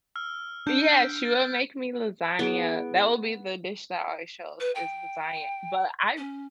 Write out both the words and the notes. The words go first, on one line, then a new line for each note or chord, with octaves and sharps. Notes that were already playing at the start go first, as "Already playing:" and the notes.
Yeah, she will make me lasagna that will be the dish that already shows is lasagna, but I
E6 F6
D4 G6 D7
G6
A6
B3 E4 G#4 D7
B4
G5
C#4